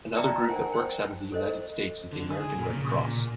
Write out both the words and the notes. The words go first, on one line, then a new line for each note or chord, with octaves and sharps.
Another group that works out of the United States is the American Red Cross.
D5 E5 G5 A5 A#5
A#4 C5 F#5 G#5
C5 G5
A4 C5 D#5
D3
G#4
A#2
C#3
A#2